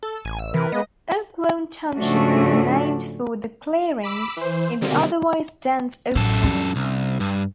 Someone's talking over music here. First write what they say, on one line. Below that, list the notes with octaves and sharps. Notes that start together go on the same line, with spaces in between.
Oak Lawn Township was named for the clearings in the otherwise dense oak forest.
A4
A1 G#5
E6
C3 E3 A#4 B4
G#3 A#3 B3 B4 D#5
G#2 C#3 F3 A3 D4 F#4
B5 D6 E6
E3 C5
B2 D3 D#3 G3 A#3 C4
A1 F#2 A4
C#4 D4
C2
G2